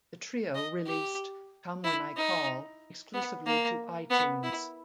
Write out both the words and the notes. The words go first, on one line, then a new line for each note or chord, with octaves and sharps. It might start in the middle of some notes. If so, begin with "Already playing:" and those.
The Trio released "Come When I Call" exclusively to iTunes.
D#5
G4
E4
D#4
B3
A#3
B3
E4